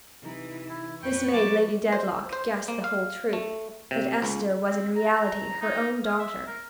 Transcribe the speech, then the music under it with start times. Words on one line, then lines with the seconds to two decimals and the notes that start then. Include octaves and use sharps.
This made Lady Dedlock guess the whole truth--that Esther was in reality her own daughter.
0.23 C3 E3 D#4 A#5
0.69 E4
1.03 F2 A#2 A#3 B4 G5 C#6
1.33 F#3 A5 D6
1.93 C5
2.33 C5
2.68 A#3
2.84 F5
3.33 A3
3.91 C3
4.22 C#2
4.67 C4
4.96 A#5
5.62 D#4
6.04 F5
6.19 E5
6.47 A#4